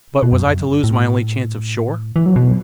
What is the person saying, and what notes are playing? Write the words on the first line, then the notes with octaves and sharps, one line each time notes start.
But was I to lose my only chance of shore?
B2
F#2
A2
E3
F#3
B2